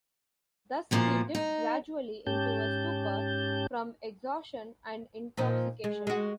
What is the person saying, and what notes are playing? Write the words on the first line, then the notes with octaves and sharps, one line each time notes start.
Thus he dipped gradually into a stupor, from exhaustion and intoxication.
E2 A#2 F3 F#4
D#4
G#2 C#4 G4 A5 G6
A#2 F3 D#4
G#3
G#3 F#4